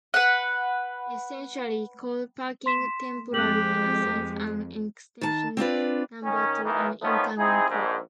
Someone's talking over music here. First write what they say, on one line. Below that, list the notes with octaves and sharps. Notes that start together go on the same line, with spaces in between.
Essentially, call parking temporarily assigns an extension number to an incoming call.
B4 F#5
C6 B6 E7
F2 G#3 G4 F#6 F#7
D#3 A5
C4 D4 F4 B4
D#3 C#4
B1 D#3 E3
D#3 F3 A3 B3 C#4 D#4
C4 D#4 E4 G#4
A#1 G#2